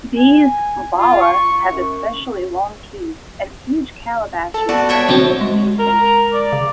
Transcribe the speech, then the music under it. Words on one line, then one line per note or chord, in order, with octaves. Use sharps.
These "bala" have especially long keys and huge calabashes for amplification.
G#5
F4
C#6
F#2
A4 A5
B3 F#4 D5 A5
C#5 E5 G5
B1 A2 D3 C4 F#4
G#3
A#4
D5
C#3